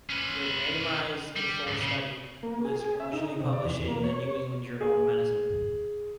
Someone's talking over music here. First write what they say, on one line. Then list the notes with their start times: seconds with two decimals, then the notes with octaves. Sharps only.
The randomized control study was originally published in the New England Journal of Medicine.
0.10 C#4 B4
1.36 G3
1.67 D2 G#2
1.81 C#3
2.43 A#3
2.65 G#4
2.80 G#4
3.00 E5
3.13 D#4
3.40 C3
3.53 D5
3.65 E2
3.88 A#3
4.04 C#5
4.81 G#4